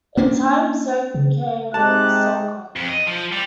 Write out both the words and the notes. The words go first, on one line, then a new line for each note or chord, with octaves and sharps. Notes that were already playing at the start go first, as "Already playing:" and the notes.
In time, "Soke" became "Socon".
A#3 C#4 D4
C#3
C3 G#3 D#4 G4 A5 F#6
F2
D#5
F3
G3